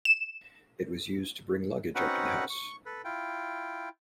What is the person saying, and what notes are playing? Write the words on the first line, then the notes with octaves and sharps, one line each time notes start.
It was used to bring luggage up to the house.
E7
C4 C#4 D#4 F#4 B4 F#5
C#6
A4 B4
E4 F4 G5